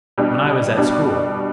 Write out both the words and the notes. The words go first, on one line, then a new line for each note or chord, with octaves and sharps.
When I was at school.
B2 G3 D4
B2 G3 D4